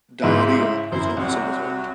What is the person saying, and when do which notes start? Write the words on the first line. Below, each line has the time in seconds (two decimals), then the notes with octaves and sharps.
Diarrhea is not a side effect.
0.22 G#2 C#3 E4 D#5 E5
0.92 F#2 E4 C5
1.17 C2 F#3